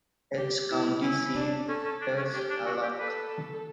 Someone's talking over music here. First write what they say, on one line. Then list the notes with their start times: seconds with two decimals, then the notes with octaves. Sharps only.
Its county seat is Hallock.
0.38 G4
0.71 E4
1.03 C#4 E4
1.36 D4
1.68 C#4 A4
1.85 C#4
2.01 D4
2.17 C#4
2.33 D4 G4
2.50 D4
2.66 F#4
2.82 G4
2.99 A4 B4